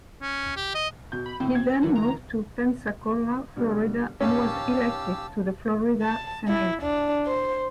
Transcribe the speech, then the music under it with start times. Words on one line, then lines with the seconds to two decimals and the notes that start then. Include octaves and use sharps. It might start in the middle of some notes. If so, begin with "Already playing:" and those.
He then moved to Pensacola, Florida and was elected to the Florida Senate.
0.22 C#4
0.56 G4
0.75 D#5
1.12 B2 G6
1.26 B5
1.40 A2 D3 C4
1.55 G#6
1.83 D3 E3 F#3 A#3
1.96 A#5
3.56 B2 D3 G3
4.21 A#1 D#2 A#2 C#4 G4 F5 A5 E6
6.02 A5
6.48 E4
6.82 D4
7.27 C5